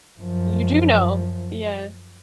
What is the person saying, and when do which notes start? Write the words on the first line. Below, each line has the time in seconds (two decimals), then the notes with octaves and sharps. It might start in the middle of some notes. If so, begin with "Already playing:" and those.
You do know, yeah.
0.20 F#2 F3